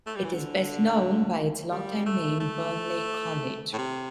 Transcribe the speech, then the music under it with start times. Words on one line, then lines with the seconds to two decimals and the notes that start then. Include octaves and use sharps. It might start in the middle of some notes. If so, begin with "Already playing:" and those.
It is best known by its longtime name Burnley College.
0.06 A3
0.16 G3
0.24 E3
0.34 D3
1.71 G3
2.06 A3
2.40 A3
3.73 A2
3.78 C3